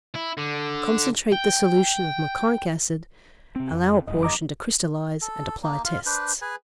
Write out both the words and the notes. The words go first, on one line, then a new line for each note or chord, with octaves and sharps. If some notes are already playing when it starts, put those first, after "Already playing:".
Concentrate the solution of meconic acid, allow a portion to crystallize, and apply tests.
E4
D3
G5
C3 C4
F2
F1 F#2 D#5
D#5 A#5 D6
A4
A#3 D#4
F4 F5
D4 B4 C5
G#4 B4 G#5